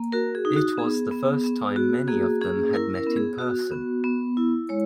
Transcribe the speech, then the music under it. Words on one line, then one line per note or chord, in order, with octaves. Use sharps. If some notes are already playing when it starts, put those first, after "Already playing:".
It was the first time many of them had met in person.
Already playing: A#3
F#4 A#4
G#4
D#4
F#4
B3 G#4
B3
B3
F#4
A#3 G#4
C#4 G#4
E4 A#4
A#4
B3
G#4
F#4
B3
B3
E4
G#3 C#5